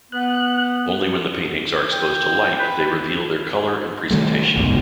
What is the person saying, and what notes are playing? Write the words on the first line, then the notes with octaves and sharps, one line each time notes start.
Only when the paintings are exposed to light they reveal their colour and presentation.
B3 F#6
G5
B4
D#3 G3 A3
F#1 C2 G#2 B2